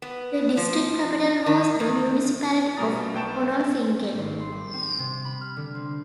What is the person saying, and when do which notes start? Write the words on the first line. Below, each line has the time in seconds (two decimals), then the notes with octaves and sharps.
The district capital was the municipality of Konolfingen.
0.02 B3
0.57 F3
1.46 D#3
1.80 E2
2.77 B2 G3 A#3 A#5 D#6 A6
3.14 B1 B3 G5 A5 C#6 E7
4.18 G#1
4.40 C6
4.52 G3
4.74 C4
4.99 C3
5.25 B5
5.41 F6
5.57 D3
5.75 C4